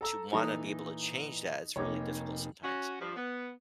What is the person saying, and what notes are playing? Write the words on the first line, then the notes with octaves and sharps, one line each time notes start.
to wanna be able to change that, it's really difficult sometimes.
A4 A#5 E6
A#2 E3 D#4 A4 D#6
F1 A#3 D#4 C#5 D6
C#4 F#4
G2 F3
B3